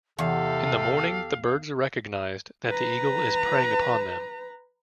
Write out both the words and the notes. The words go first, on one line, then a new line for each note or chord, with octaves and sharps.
In the morning the birds recognized that the eagle is preying upon them.
E2 C3 G4 A4 F5
B4 A#5